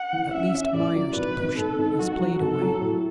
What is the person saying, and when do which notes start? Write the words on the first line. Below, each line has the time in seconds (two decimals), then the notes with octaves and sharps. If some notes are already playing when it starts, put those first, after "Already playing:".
At last Myerst pushed his plate away.
Already playing: F#5
0.13 E3
0.33 C#4 E5
0.54 C#4
0.74 A2 D5
0.96 F#3
1.16 G#1 B4
1.37 G#1
1.58 G#1 A4
1.78 G#2
1.99 F#3 F#4
2.19 F#3
2.40 G#1 A4
2.62 F#3
2.81 A2